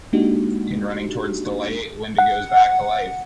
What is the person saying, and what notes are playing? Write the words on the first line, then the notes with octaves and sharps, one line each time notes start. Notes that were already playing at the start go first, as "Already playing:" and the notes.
In running towards the light, Linda goes back to life.
G#3 A#3 D4 D#4 F#4 G4
F#5